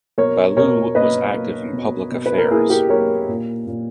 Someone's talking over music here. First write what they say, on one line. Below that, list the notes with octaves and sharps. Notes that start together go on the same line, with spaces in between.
Ballou was active in public affairs.
B2 A#4 C#5
B2 A#4 C#5
A#3 B4 D#5
A#3
B2
B2
B4
A#4
A#3 E4 G#4
G4 A#4
A#3 A#4 C#5
A#2
A#2